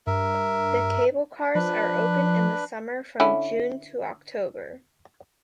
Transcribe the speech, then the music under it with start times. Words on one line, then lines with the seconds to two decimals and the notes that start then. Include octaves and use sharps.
The cable cars are open in the summer from June to October.
0.07 G2 A#4 E5
1.55 F3 D4 B4
3.20 D3 C#4 E4